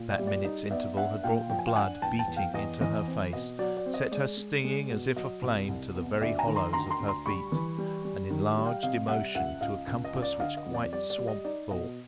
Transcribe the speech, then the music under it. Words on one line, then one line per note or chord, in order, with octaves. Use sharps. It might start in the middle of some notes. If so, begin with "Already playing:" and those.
That minute's interval had brought the blood beating into her face, set her stinging as if aflame to the very hollows of her feet, and enlarged emotion to a compass which quite swamped thought.
Already playing: A#2
D5 E5
G3
D5
D#4 D#5
B3 D5 E5
D4 E5 F#5
A#2 F5 G5
F3 G5
G#5
F5 G5
D4 F#5 G#5
E2 G5 A5
G5 A5
E2
F5 G5
E2 D#5
E3 D#5
C4
B2 D#5
F#3 D5
D5
C4
D#5
G#3 D5
G#3
G#3
B2
F#3 D#5
C2
C2
B3
D2 D5 E5
G#5 A#5
D#3
A#5 C6
D2 A#5 C6
A#5 C6
D2
A#5 C6
G3 B5 C#6
E3
G3
G3
D#3
G3
F5 G5
C3 D#5 F5
G3 E5 F#5
C#2 E5 F#5
C#2 D#5 F5
C#2
D#5
C#2
D5
D3 D#5 F5
D#5
F2
D5
G3 D5
D5
G3
D#5
D#4 D5
B2 D#5